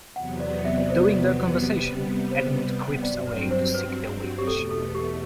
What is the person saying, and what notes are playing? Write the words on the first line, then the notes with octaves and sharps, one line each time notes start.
During their conversation, Edmund creeps away to seek the Witch.
E2 C3 F#3 B3 F#5
D5
E5
D5
C5
D5
C3 G3 B3
C5
G2 F#3 C4 D5
B4
C5
B4
G4
E2 B2 A3 A4
A4
G4